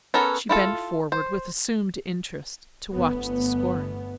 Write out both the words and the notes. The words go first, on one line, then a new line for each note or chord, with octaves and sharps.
She bent forward with assumed interest to watch the scoring.
B3 C#4 A4 A#4 C#5
E4 F4 A4
C5
G1 A3 B3